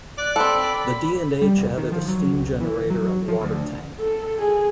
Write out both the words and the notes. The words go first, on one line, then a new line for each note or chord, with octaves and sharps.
The D and H added a steam generator and water tank.
D5 F#6
C4 A4 B5
G3
F1
D#3
F3
F#3
C#2
E3
F#3
F3
D2
A4
G#4